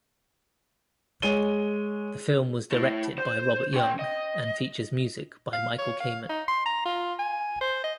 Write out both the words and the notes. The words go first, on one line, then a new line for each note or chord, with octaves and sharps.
The film was directed by Robert Young, and features music by Michael Kamen.
G#3 C#5 D#7 G7
A3 E4
C5
C#4 G5
D#5
F5
C#5
F5
D#4
C6
A#5
F4
G#5
C5
D#5